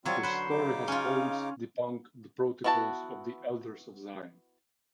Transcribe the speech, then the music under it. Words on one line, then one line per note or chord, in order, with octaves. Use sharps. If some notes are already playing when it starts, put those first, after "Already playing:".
The story has Holmes debunk "The Protocols of the Elders of Zion".
F#3 G3 C4 F4 C#5
D3 B4 C5
C#3 D#4 D6
C#4 F4
B3 E4 F#4 A4 A5